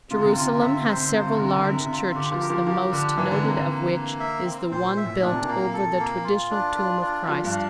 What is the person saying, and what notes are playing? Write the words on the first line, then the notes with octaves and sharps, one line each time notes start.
Jerusalem has several large churches the most noted of which is the one built over the traditional tomb of Christ.
C3 F4
D3
C3
D3
C3 F4
D3
C3
D3 E5
C3
D3
C3
D3 C5
C3
D3
C3 F4
D3
C3
D3
C3 A#4
D3
C3
D3 E5
C3
D3
C3 F4
D3 G4
F3
A#4
F3
F3 G4
D3 D4
E3 A#3
D3
C3 A#3
D3
A#3
A#3
E5
C4
A#2 C5
E5
A2
A#2 D4
C3
A#2
A#3
A4
A#3
F4
D4
F4
D4
F3 D4
G2
F5